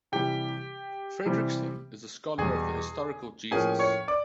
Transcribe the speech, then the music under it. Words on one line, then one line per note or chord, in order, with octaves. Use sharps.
Fredriksen is a scholar of the historical Jesus.
C3 E3 G3 G4 G5
C3 E3 G3 C4
E2 B2 G3 G#4 G#5
A2 F3 A#3 C#4 G#4 G#5
C#5 C#6
D5 D6